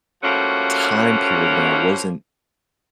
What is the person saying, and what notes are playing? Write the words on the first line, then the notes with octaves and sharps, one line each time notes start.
time period when I wasn't
F3 G3 A3 A#3 C#4 F#4